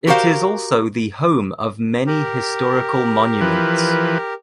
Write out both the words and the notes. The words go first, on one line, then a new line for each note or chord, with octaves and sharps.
It is also the home of many historical monuments.
F#4 G4 A#4 C5 F5
G4 A#4
E3 F3 B4